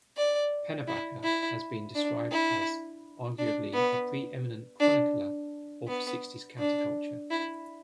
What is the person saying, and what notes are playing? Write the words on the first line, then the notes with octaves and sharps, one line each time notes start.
Pennebaker has been described as "arguably the pre-eminent chronicler of sixties counterculture".
D5
E4
E4
D4
E4
D4
B3
D4
B3
D4
E4